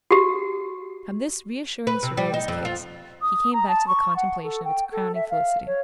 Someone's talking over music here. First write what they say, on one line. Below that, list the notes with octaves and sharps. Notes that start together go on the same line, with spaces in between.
From this reassuring survey of his case he came back to the contemplation of its crowning felicity.
F#4 G4
B4
C3
G3
D#4
F2
F4
D#6
A#5
A5
C#6
F#5
A4
G5
A4
E5
F5
C#5